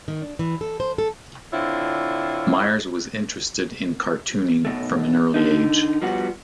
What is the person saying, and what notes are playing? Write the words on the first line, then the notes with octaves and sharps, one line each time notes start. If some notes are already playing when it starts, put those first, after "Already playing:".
Myers was interested in cartooning from an early age.
D#3
D4
E3
A4
C5
A4
D3 C4 D4 E4 F4 C#5
B1 B2 A3
D3 D#4
F3 G3 B3 F#4